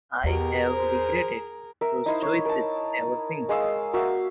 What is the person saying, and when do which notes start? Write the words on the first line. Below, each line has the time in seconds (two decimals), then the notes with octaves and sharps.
I have regretted those choices ever since.
0.24 E2 B2 G4 G#4 A#4
0.70 C5
1.81 A#4 E5
2.06 D#4 E4 C5
2.22 C#5
2.45 A#4 A5
3.49 G#3 F5 D#6 E6
3.93 A#3 F#4 E5 F5